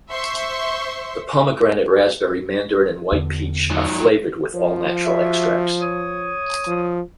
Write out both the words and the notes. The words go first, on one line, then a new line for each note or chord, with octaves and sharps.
The Pomegranate Raspberry, Mandarin, and White Peach are flavored with all natural extracts.
C5 E5 C6 C#6
E2 D3
D#3 F#3
F3
F#4 G#4 E5
C#5 D#6
F3